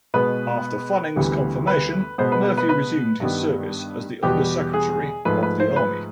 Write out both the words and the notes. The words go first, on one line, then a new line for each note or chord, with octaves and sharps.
After Fanning's confirmation, Murphy resumed his service as the Under Secretary of the Army.
B2 G#3 B3 B4
D2 C3 E3 G3 B3
B4
B2 G#3 B3 C5
B4
B4
B4
B4
G2 D#3 G3 B3
E2 B2 G3 B3 G4
G#4
G#2 F3 A3 B4
B4
C5
B4